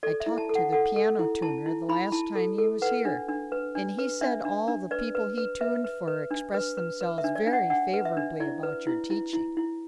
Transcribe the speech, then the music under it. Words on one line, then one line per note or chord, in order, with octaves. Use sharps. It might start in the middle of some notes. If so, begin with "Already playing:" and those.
I talked to the piano tuner the last time he was here, and he said all the people he tuned for expressed themselves very favorably about your teaching.
A4 D5
E5
E4
A5
A4
F#5
A4 F#5
A4
E4
E4 A5
E4
E4 B5
E4 A5
A4
A4
B4 F#5
D4
D4
B4
D4
B4
D4 E5
D4
D4
B4 D5
B4
B4
B4 E5
B4
B4
D4
B4
B4
B4
E5
D4
D5
D4
F#5
D4 F#5
B4
E5
D4
E4 D5
B4
E4
E4
E4
E4